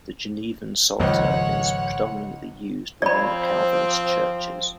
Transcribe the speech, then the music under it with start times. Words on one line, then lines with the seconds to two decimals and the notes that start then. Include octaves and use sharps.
The Genevan Psalter is predominantly used within the Calvinist churches.
1.00 G#1 C#2 G#2 F3 C#5 F#5
3.02 F3 C4 D5 B5